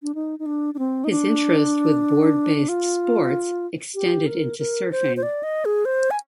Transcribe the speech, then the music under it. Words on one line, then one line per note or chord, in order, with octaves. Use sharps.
His interest with board based sports extended into surfing.
D4
D#4
D#4
D4
D4
C4
D#4
D4
F4
G4
A#4
A#4
C5
C5
D5
D#5
G#4
C5
G#5